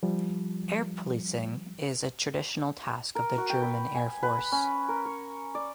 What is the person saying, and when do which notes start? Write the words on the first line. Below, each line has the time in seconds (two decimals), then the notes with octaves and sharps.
Air policing is a traditional task of the German Air Force.
0.03 F3 G3
3.15 A#4
3.38 F#4
3.50 G5
3.62 B4
3.95 G#5
4.23 B4
4.39 B5
4.52 C#4
4.89 A#4
5.05 C#5
5.55 D5